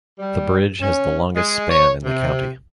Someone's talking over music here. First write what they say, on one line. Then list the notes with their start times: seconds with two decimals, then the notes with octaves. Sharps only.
The bridge has the longest span in the county.
0.19 G3
0.81 C#4
1.36 G#3
1.69 C#5
2.04 C3